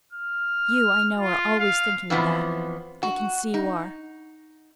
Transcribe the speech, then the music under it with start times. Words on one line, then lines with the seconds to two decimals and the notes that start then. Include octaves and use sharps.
You, I know, are always thinking of that--I can see you are.
0.12 F6
1.18 F4
1.59 F5
2.10 F2 E3 F3 B3
3.03 F#4
3.54 D#4